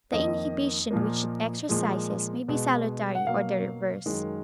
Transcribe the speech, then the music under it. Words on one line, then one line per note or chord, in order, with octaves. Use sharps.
The inhibition which it exercises may be salutary or the reverse.
F2 D#3 A#3 D#5
A#2 F3 A#3
A#2 F3 G#3
B2 G#3
F#5
B2 F#3 A#3 F5
F#2 D#3 G#3